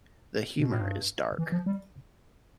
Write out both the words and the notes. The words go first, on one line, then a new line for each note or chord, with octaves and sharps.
The humor is dark.
B2
A2
G2
E3
F3
G3